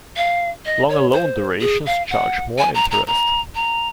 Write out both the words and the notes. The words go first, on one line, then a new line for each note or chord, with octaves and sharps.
Longer loan durations charge more interest.
F5
D#5
C#5
C5
G#4
F5
F#5
G#5
A#5
A#5
A#5
A#5